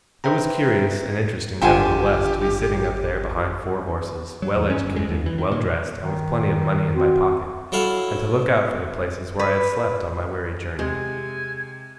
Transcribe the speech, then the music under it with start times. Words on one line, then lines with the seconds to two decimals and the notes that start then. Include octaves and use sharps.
It was curious and interesting, nevertheless, to be sitting up there behind four horses: well educated, well dressed, and with plenty of money in my pocket; and to look out for the places where I had slept on my weary journey.
0.24 B4 C5 E5 G5 A#5
1.62 G#1 D3 F4 G4 E5 G5 G#5
4.42 F#3
4.55 E2
4.70 C#4
4.83 G1
4.96 G#3
5.09 D#2
5.26 E3
5.38 D#3
5.52 A#2
5.96 D#3
6.95 C4 F#4
7.72 F#3 E4 A4 F5
9.39 B4
10.79 C3 G#3 G#5